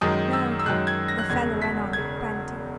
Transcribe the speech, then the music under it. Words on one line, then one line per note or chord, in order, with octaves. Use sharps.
No! the fellow ran on, panting.
F#2 D#3 G#3 D#6
E6
E6
F#2 D#3 G#3 F#6
G#6
A#6
F#6
E1 E2 C#3 G#6
B6
G#6
C#3